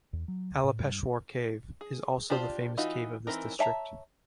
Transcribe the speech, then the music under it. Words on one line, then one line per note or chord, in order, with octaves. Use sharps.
Alapeshwar cave is also the famous cave of this district.
E2
F#3
D2
A2
G2
G#4
D4 F4 G4 C5 D5
E3 D#4 F4 F#4
E3 C4 D#4 A#4
C#5 E5 A5 A#5